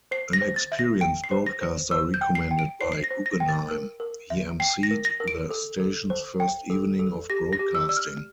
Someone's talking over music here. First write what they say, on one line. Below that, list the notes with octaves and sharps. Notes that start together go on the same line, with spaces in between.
An experienced broadcaster, recommended by Guggenheim, he emceed the station's first evening of broadcasting.
C5 C7
A#6
C5
A6
E5
A#6
G5 D7
C7
C5
A#6
C5
C5 E6
G6
G5
C7
G5
D7
C5 C7
C7
A#6
C5
A#6
G5
A6
A#4
A#4
E5
G5 C7
A#6
A#4
A#6
A#4
D7
A4
A4
C5
G5
A4
A4
G4 A#6
A#6
G4
E6
D5 E6
F6